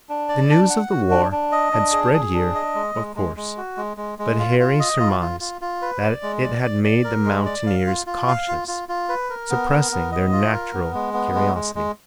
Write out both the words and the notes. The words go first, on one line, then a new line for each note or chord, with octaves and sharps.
The news of the war had spread here, of course, but Harry surmised that it had made the mountaineers cautious, suppressing their natural curiosity.
D4
D5
D4
F#5
F#4
D4
D4
D#5
D4
G#4
G#4
D4
D#5
G#3
G#3
G#3
G#3
F#4
G#3
G#3
G#3
F4
F4
D#5
F4
F4
F4
F4
B4
D5
G#3
D5
D5
D5
A#4
G#3
D5
F5
F4
F4
F5
F4
F4
F4
B4
A#4
B3
A#4
B3
D#5
F4
A#4
B3
G#3
B3
G#3
G#3
G#3